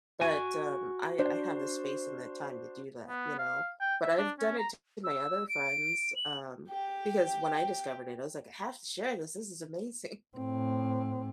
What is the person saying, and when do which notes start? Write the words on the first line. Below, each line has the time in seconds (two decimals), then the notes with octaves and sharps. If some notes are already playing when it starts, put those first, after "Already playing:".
but, um, I I have the space and the time to do that, you know, but I've done it to my other friends, um, because when I discovered it, I was like, "I have to share this, this is amazing,
0.21 F#4 G#5
1.19 D4 C5
3.07 B3
3.39 F5
3.81 G5
4.03 E5
4.18 D4
4.39 C#4
4.58 A#5
5.04 E6
5.49 D7
6.16 F#7
6.70 G4 G5
10.37 A2 C4